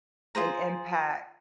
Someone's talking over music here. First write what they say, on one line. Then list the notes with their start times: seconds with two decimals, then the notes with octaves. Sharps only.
an impact
0.35 F4 G#4 C5 A#5